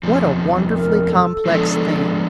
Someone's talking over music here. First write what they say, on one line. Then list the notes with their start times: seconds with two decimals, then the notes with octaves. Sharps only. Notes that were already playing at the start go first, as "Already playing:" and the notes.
What a wonderfully complex thing!
0.03 E2 C3 F3
0.75 A#4
1.10 A4
1.46 F3 G#3 B3 D4